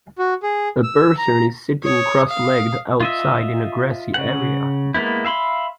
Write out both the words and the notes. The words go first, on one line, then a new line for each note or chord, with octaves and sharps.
A person is sitting cross legged outside in a grassy area.
F#4
G#4
E6
A#5
C#5 D#6
F5
F4 D#5 E5
C#3 F#5
G#3 A#3 B3 E4
E5 F5 B5 C6